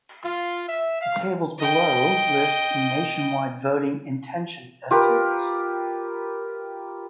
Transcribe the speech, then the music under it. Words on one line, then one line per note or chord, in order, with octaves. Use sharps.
The tables below list nationwide voting intention estimates.
F4
E5
F5
D#5 G5
F4 G4 A#4 B4